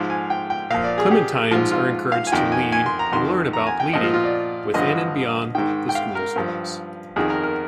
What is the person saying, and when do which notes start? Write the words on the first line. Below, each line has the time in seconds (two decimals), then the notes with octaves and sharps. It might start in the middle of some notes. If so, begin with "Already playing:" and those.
Clementines are encouraged to lead-and learn about leading-within and beyond the School's walls.
Already playing: G#2 F3 F5
0.10 G#5
0.30 G5
0.50 G5
0.70 A#2 F3 F5
0.84 D5
0.98 G#4
1.11 G4
1.51 G#2 F3 F4
1.71 F4
2.12 F5
2.27 G#5
2.32 F2 D#3 G5
2.52 G#5
2.72 G#5
2.86 C6
2.99 A#5
3.12 F2 D#3 C6
3.53 A#5
3.67 G#5
3.80 G5
3.93 A#2 F3 D#5
4.03 F4
4.14 F4
4.24 D5
4.74 G2 D3 F3 D#5
5.55 G#2 D#3 G5
5.89 G5
5.95 F5
6.15 A#4
6.36 G2 F3
7.16 F2 D#3 G#4
7.30 A#4
7.43 A#4